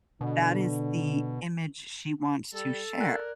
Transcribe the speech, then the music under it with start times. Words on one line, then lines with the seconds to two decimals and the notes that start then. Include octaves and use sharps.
that is the image she wants to share.
0.21 B2 D3
2.53 G3 A4
2.98 A#4 D5 F#6